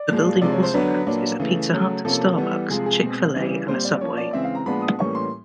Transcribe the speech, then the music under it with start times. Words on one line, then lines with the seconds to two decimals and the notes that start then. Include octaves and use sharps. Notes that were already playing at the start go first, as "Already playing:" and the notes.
The building also houses a Pizza Hut, Starbucks, Chick-fil-A and a Subway.
Already playing: D5
0.09 A#2 F3 G#3
0.41 C3 F3 G#3 D5
0.52 C#5
0.63 C5
0.74 D3 F#3 B3 D4 B4
1.07 A#2 F#3 A#3 D4
1.39 C#3 E3 A3
1.72 C#3 F#3 A3
2.05 C3 F3 A#3 C#4 A4
2.37 E3 G3 B3
2.69 C3 F3 G#3 G#4
2.86 G#4
3.03 B2 G#3 C4
3.35 C#3 E3 G3
3.68 A#2 G3 C4 C5
3.85 D5
4.01 F3 A#3 C#4 C#5
4.18 D5
4.33 C#3 E3 G#3 C4 E5
4.44 F5
4.55 A#5
4.66 A#2 F3 G#3 B3 D4 B5
4.82 D#6
4.99 A2 E3 G3 A#3 C#4 C#6
5.15 C6